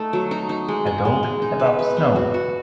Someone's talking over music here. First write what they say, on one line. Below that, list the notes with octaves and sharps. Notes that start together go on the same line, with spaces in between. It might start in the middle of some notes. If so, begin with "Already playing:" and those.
A dog above snow.
Already playing: A3 D#4
F#3
D#4
D#4
G#3
G#3
G#3
G#3
D#4
B4
B4
B3
F#4
F#4